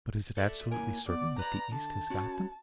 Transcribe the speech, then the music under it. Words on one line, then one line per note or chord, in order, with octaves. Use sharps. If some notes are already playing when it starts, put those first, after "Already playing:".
"But is it absolutely certain that the East has got them?"
A4 D5 E5
A#3 E4 A#4 G#5
B3 D5
B4 D5 A#5
D3 A5
C#4 F#4